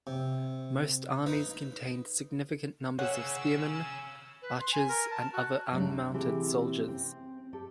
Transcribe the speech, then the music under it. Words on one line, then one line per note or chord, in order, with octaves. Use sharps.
Most armies contained significant numbers of spearmen, archers and other unmounted soldiers.
C3
D#4 B4 D#5
G#4 C#5 F5 F#5 C#6 E6
B4
C6
G#5
A#4
A5
F#4
F#3 G3 A3 D4
D2
C3 E3 C4 G4 G#4
C4
G4 A4